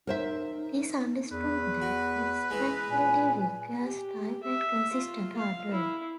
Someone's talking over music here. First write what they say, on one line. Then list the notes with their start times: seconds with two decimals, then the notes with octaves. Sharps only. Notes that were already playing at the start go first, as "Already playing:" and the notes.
It is understood that this strength-building requires time and consistent hard work.
0.07 D#4 A#4 C5 E5
1.32 E2 B4
1.82 F#4
2.50 E3 G#3
2.90 A#2 G#5
3.83 G4
4.43 E5
4.93 F4
5.36 F5
5.71 E4